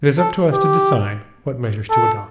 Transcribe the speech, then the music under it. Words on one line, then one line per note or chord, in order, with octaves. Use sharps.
"It is up to us to decide what measures to adopt."
A4
G4
A4